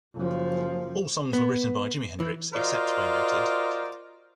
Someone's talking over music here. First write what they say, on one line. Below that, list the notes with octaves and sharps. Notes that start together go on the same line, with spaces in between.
All songs were written by Jimi Hendrix, except where noted.
F#1 F3
B3
E3
F4 F#4 A#4 C5 D5 D#5